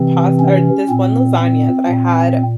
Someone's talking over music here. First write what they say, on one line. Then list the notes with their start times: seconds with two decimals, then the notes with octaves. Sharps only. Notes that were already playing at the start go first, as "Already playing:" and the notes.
past or this one lasagna that I had,
Already playing: C3 E3 C4
0.40 C#4
0.89 A#2 C4
1.39 C4
1.88 A#2